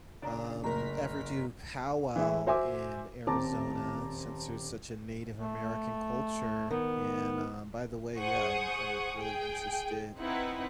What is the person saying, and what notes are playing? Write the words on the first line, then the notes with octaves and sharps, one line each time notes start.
um, ever do powwow in Arizona, since there's such a Native American culture, and, um, by the way, yeah, I'm I'm really interested
C#3 D4 D5 A#5
F#1 A2 A#4 A#5 B6
E3 G#3 E4
F#4 C5 E5 G#5 D6
D#1 C4 A5 A#5 D6
A3
D#3 B3
G#4 C5 F#5 C#6 D#6
G#4 G5
C4 D#4 E4 B4 F#5